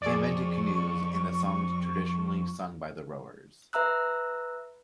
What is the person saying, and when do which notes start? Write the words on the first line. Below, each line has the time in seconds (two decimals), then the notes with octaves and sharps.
He invented canoes and the songs traditionally sung by the rowers.
0.02 F2 G#4 D5 C#6
3.73 B4 E5 A#5 E6 F#6